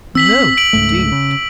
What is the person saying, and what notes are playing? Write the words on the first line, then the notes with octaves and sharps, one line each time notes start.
"No, indeed!"
C4 E6 B6 F#7
D7 F#7
C#2 G#2 A3
C#3